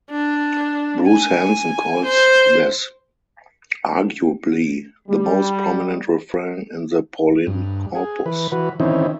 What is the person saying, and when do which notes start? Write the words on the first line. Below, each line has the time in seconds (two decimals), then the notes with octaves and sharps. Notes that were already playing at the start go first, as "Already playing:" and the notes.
Bruce Hansen calls this "arguably the most prominent refrain in the Pauline corpus".
0.10 D4
1.07 G#5
2.05 C5
5.09 G3
7.47 G2
7.95 G#4
8.26 E3 B4
8.52 E3 F#4 B4
8.80 D#3 E3 C4 C#4 D#4 E4